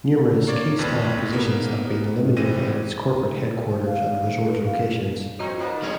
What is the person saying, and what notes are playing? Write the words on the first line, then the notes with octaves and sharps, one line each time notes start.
Numerous key staff positions have been eliminated at its corporate headquarters and resort locations.
A#3 C#5 D5
A#1 F2 B4
A#3 B3
A1 E3 C4 A#6 D#7
C5
F5
B4
F5
F2 C4 D#4 F#4 C#5 D#5 A#5
A#2 D#3 A#3
D3 F3 G3 G#3 C4 C#5